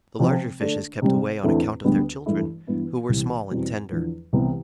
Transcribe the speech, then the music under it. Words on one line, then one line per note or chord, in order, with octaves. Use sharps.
The larger fishes kept away on account of their children, who were small and tender.
C3 F3 C4 F4
D3 A3 D4
C3 G3 C4
E2 D3 A3 C4 E4
D2 D3 G3 B3
G2 E3 A3 E4
G2 E3 B3 E4
C2 C3 E3
E2 B2 G3 C4
E2 D3 F3
C2 C3 E3 B3 E4